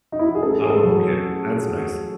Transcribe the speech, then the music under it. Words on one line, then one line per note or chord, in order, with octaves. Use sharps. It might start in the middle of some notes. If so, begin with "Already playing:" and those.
Oh, okay. That's nice.
D#4
E4
F#4
G#4
A1 A4
G#4
A4
F#3